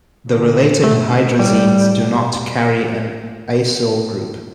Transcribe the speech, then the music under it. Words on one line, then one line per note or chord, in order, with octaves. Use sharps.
The related hydrazines do not carry an acyl group.
D3
B2 A3
A2 G3
B2